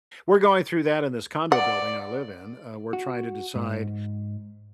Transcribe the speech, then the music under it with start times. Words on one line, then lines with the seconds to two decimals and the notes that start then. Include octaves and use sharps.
We're going through that in this condo building I live in, uh, we're trying to decide,
1.52 D5 F#5
2.93 F#4
3.55 G#2